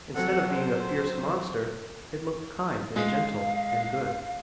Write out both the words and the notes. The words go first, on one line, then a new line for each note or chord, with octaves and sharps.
Instead of being a fierce monster it looked kind and gentle and good.
F#3 C4 A4 F#5
C5
G#3 F5